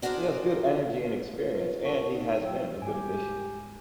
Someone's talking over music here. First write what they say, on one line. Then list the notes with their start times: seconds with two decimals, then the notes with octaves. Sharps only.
He has good energy and experience and he has been a good addition.
0.02 D4 F#4 G#4 A#4 C5 D5
1.36 F4 B4 C#5
1.83 A4 A#4 C#5 F#5 A5 C#6
2.10 D#4
2.41 F#3 F4 A4 G5 E6
2.82 G#2 G3 G4 G#5